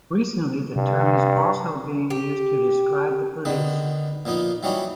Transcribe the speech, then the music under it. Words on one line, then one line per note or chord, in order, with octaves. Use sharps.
Recently, the term is also being used to describe the police.
G2 C3
G4
D3 D#3 B3
A#2 F3 B3 D#4
E3 F#3 G3 C#4 D#4 F#4